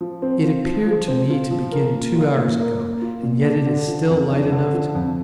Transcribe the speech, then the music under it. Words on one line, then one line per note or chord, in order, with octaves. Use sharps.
It appeared to me to begin two hours ago, and yet it is still light enough to see.
F3
C4
F4
F3
F3
C4
F4
F3
A#4
A#3
F4
A#2
A#4
A#3
F4
A#2
D4
D3
F3
F2
D4
D3
F3
F2